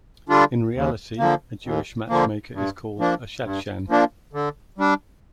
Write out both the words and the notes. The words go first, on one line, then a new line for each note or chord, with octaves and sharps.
In reality a Jewish matchmaker is called a "shadchan".
D3 G3 D4 F4
D#2
D3 F3 A#3
D#2
D3 F3 A#3
G2
F3 A#3 D4
G2
F3 A#3 D4
D3
G3 D4